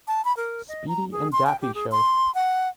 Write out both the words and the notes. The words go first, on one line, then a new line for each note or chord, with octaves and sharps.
Speedy and Daffy Show.
A5
B5
A#4
D#5
A#5
G#4
C6
G5
G4
G#4
C6
F#5